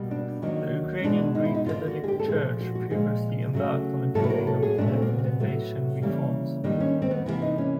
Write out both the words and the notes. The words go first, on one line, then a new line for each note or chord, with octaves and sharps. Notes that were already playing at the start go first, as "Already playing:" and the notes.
The Ukrainian Greek Catholic Church previously embarked on a campaign of de-Latinization reforms.
Already playing: B2 G3 A#3
D4
D#3 F#3 A#3
C#4
B2 G#3 D4
D#4
E4
D#4
D3 G3 A#3 F4
F#4
G#4
G4
A4
A#2 F3 A3 G#4
F#4
F#4
A#2 F3 G#3 G#4
C#3 F#3 A3
A2 F#3 A#3 A4
B4
A#4
A4
G#4
A#2 F#3 A3 D4
C#4
C4
A#3
B3
C4
B3
A2 F#3 A3
C#3 E3 G3 A#3
D#3 G3 A#3 D4
C#4
C4
B3
C3 E3 G3 A#3 B3
D#4
C#4